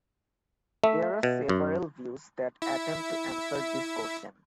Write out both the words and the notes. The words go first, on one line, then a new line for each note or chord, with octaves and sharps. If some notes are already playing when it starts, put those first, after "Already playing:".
There are several views that attempt to answer this question.
A3 E5
B2
F#2
E4 E5